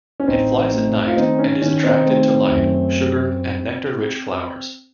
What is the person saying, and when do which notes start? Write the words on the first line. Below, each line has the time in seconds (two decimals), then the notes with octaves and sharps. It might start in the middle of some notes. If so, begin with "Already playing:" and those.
It flies at night and is attracted to light, sugar and nectar-rich flowers.
0.20 C#4
0.28 A1 C4 D#4
0.72 A3
1.07 F4
1.16 D#3 C4 D#4
1.39 C#4
1.61 D#3 C#4
1.83 C4 D#4
2.06 A3 C4
2.51 F#2